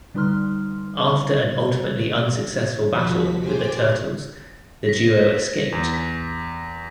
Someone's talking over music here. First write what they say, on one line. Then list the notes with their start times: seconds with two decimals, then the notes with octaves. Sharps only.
After an ultimately unsuccessful battle with the Turtles, the duo escaped.
0.14 D3 G3 D#4 B4 C6 F6
2.91 D#2 F3 F#4 B6
3.38 G4 C5 G5 G#5 D6
4.86 A#6 B6
5.72 E2
5.94 B6